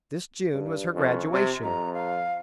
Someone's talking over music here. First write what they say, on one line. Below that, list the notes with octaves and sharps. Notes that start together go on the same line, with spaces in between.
This June was her graduation.
G2
F2 C#4
C3
F2 A#5
F5